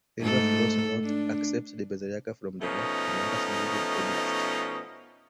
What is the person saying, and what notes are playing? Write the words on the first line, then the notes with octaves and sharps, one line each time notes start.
The river flows north, accepts the Berezayka from the left, and enters Novgorod Oblast.
G#2 A3 A4
D4
B2 F3 A3 C#4 D#4